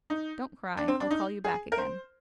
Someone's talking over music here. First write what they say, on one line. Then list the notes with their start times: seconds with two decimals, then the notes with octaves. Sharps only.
"Don't cry, I'll call you back again."
0.10 D#4
0.77 D4
0.88 C4
1.00 D4
1.11 D#4
1.44 G#4
1.72 A#4
1.78 C5